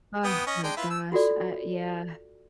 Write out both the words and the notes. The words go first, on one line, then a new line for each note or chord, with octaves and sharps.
Ugh, my gosh, uh, yeah.
B3 G5 D#6
C#4 D#5
G#3 D4 G5
E4 F4 B4
E6
F4 F#4 A4 D5